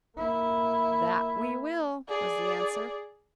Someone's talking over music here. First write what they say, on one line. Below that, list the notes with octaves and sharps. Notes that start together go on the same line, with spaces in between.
"That we will," was the answer.
A#3 E4
G#4 D5